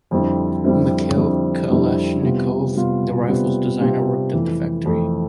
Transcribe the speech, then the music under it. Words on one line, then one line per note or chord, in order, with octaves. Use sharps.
Mikhail Kalashnikov, the rifle's designer, worked at the factory.
F2 D3 G3 C4 E4
F2 D3 G3 C4 E4
F2 D3 G3 C4 E4
F2 D3 G3 C4 E4
C3 G3 B3 F4
C3 G3 B3 F4
C3 G3 B3 F4
C3 G3 B3 F4
F2 E3 A3
F2 E3 A3